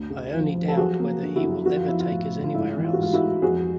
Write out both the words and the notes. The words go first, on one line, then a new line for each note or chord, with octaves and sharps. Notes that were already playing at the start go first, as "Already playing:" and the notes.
I only doubt whether he will ever take us anywhere else.
Already playing: D2
C#3
F3
F3
A4
F#3 F#4 G#4
A#3
D3
E4 F#4
F#2
F3 F#4
F4
F3 E4
F4
A2
A2
F4
G#2 E4
E3
F4
F#4
G#2 F4
E4 F#4
G#3
F2 F#4 G#4